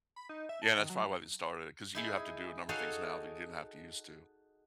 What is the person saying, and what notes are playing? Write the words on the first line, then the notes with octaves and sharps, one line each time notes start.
Yeah, that's probably why they started it 'cause you have to do a number of things now that you didn't have to use to,
B5
D#4
E5
A5
D#3
F#3
D#4 E4 G#4
D#4 F#4 G#4 A4 C#5 F5